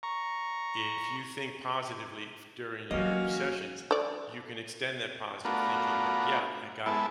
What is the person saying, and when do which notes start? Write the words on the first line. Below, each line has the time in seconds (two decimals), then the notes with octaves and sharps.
if you think positively f during your sessions, you can extend that positive thinking like, "Yeah, I got
0.03 A#5 C#6
2.91 E3 F#3 A#3 C#4 F#4 D#5 F5
3.91 A4 D5
5.45 A3 B3 D4 F4 F#4 A#4
6.86 G#3 B3 E4 A4